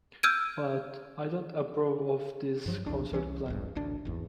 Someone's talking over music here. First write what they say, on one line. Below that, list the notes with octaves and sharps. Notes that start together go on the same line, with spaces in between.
But I don’t approve of this concert plan.
E6 F6 G6 G#6 D7 D#7
G2 F3 F#3
B1 E2 D4
C2 E3 G#3 C#4
D1 A#1 G2
A1 D2 D4
G#1 E2